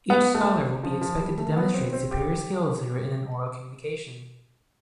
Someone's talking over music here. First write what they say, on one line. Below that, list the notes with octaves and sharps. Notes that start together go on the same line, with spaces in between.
Each scholar will be expected to demonstrate superior skills in written and oral communication.
B3
A3
F3
F3
G3
A3
B3
C4
C4
G4